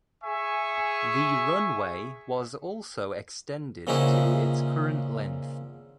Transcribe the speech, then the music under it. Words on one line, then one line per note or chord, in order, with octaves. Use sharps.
The runway was also extended to its current length.
G#4 E5 G#5 C#6
A#2 C#3 F3 D#4 E4 F#4